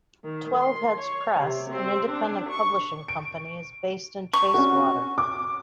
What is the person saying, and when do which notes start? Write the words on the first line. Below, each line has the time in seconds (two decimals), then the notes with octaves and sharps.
Twelveheads Press, an independent publishing company, is based in Chacewater.
0.24 D#3
0.57 C6
0.97 C#5
1.39 C3
1.69 C4
2.10 D4
2.50 C#6
3.08 D7
4.33 C#6
4.54 C#4 F#4
5.18 D6